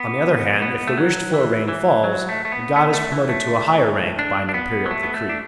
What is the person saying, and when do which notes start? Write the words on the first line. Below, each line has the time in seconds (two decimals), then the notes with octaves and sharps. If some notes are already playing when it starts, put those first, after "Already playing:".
On the other hand, if the wished-for rain falls, the god is promoted to a higher rank by an imperial decree.
Already playing: B3
0.62 B3
0.87 A3
0.98 F#3
1.34 E3
1.68 E3
2.04 F#3
2.29 A3
2.45 A3
2.52 B3
2.76 B3
2.93 A3
3.12 E3
3.29 A3
4.19 D4
4.49 D4
4.54 B3
4.85 F#3
4.91 A3
5.03 B3
5.14 A3
5.29 D4